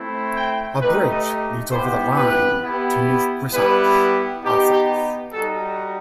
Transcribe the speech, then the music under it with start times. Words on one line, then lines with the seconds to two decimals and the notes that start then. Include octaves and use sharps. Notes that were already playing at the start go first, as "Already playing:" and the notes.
A bridge leads over the Rhine to Neuf-Brisach, Alsace.
Already playing: A3 C4 E4
0.36 G5
0.81 A3 D#4 G4 B4
1.11 D#5
1.71 B3 E4 G4 C5
2.17 B4
2.63 B3 E4 G4
3.52 G3 B3 E4 G4 B4
4.43 B3 D#4 G4
4.73 G4
5.32 G3 D#4 F#4 A4